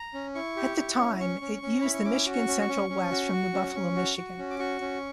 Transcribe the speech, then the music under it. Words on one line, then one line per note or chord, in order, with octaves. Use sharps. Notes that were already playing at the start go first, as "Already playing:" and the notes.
At the time it used the Michigan Central west from New Buffalo, Michigan.
Already playing: A#5
C#4
E4 C#6
G4
E4
C#4
C#4 C#6
C#4
C#4
E4 B5
C#6
C#4 D6
F#4
C#6
C#4
C#6
C#4
C#4
F#4
F#4
C#4
C#4
F#4
F#4
C#4
D6
F#4 C#6
C#4